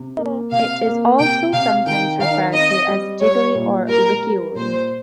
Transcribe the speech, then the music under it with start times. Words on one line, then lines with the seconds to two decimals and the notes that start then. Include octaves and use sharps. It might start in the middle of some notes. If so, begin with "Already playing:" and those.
It is also sometimes referred to as gigli or riccioli.
Already playing: C3
0.18 A#3
0.52 C3 F5
0.86 A#3
1.19 C3 G5
1.53 C3 F5
1.86 D#3 G5
2.20 D#3 F5
2.54 C4 D#5
2.88 G3
3.21 G3 C#5
3.55 A#2
3.88 G3 A#4
4.22 G3
4.55 A#2 C5